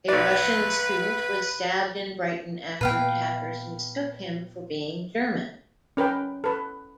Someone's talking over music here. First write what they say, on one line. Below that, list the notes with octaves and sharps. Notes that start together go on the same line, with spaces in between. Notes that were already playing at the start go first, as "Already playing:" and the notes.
A Russian student was stabbed in Brighton after attackers mistook him for being German.
B1 B4 D5
A#2 B3 B4 F5 G5
C#4 A#4 B4 G5
A4 B4